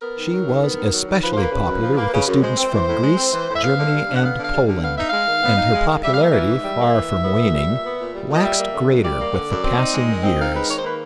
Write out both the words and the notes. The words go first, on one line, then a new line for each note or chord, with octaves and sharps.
She was especially popular with the students from Greece, Germany and Poland, and her popularity, far from waning, waxed greater with the passing years.
B3 A#4
D#3
F#3
D#3
B3
D#3
F#3
D#3
F3 B4
C5
A#3 B4
C#3
F#2
F3
A#3
C#3
F#2
G#3 C5
C4
E3
A2
G#3
C4
E3
A2
E5
B3 F5
D3
G3
D3
F#5
B3 F5
D3
F5
G3
D3
B3 F5
D#4 E5
G#3 F5
D#3
B3
D#4
G#3
D#3
G3 E5
F5
A#3 E5
E3
G#2
G3
A#3
E3
G#2
B3
A#2
G3
A#2
B3
A#2
G3
A#2
D#5
G3 E5
A#3
D3
F#2
G3 D5
A#3
D3
F#2
C4
D#4
G#3
D#3
C4 D#5
D#4 F5
G#3 B4
D#3 C#5
C5
A#3 B4